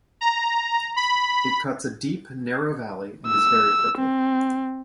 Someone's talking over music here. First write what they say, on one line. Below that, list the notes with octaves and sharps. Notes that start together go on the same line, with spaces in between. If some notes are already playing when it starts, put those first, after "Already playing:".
It cuts a deep, narrow valley and is very crooked.
A#5
B5
E6
C4